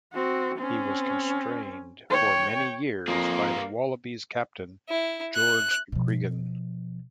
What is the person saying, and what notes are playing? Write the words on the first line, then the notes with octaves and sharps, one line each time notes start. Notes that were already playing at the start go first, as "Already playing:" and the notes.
He was constrained for many years, by the Wallabies captain, George Gregan.
C4 F#4
C4 C#4
C#5 G5
F2 A#3 G#4
E4
F#6
B2 F3